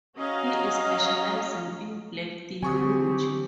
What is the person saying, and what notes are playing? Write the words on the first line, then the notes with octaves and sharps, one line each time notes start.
He is specialising in black theology.
C#4 F#4 D#5 F5 A#5
D3 F#3 C4 G4 G#5 C#6 D#6